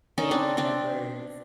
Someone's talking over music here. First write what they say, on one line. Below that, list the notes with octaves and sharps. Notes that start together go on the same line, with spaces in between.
family members,
C#4 D#4
C4 D4
C4 D4